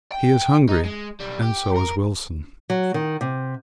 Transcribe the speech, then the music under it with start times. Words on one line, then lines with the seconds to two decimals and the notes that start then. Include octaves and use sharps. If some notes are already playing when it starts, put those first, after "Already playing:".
He is hungry and so is Wilson.
0.12 G5
0.69 D#4
0.85 G#3
1.21 B1 G3
1.42 G4
1.76 A#4
2.70 F#3
2.94 D#3
3.21 C3